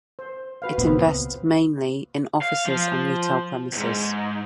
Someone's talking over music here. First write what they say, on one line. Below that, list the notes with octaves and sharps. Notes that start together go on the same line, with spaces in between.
It invests mainly in offices and retail premises.
C5
F#4 B4 F5
C#2 A#2 B3 C4
F5
F3
E2 G#2